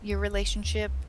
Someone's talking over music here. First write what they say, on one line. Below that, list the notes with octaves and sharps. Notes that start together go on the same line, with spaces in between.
your relationship?
D2
F#1
F#1
D#2
C2